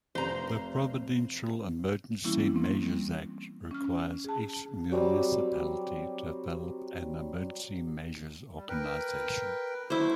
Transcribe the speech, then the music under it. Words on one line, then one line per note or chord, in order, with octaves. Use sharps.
The provincial Emergency Measures Act requires each municipality to develop an emergency measures organization.
F1 C5 A#5
E3 G3 A#3 B3 C#4 E4
A#3 C4
G3
C#4 F6
G#4 A5
F#3 G3 C4 D6
G3
A#4 B4 G5
F#3 A3 E4 C5 D6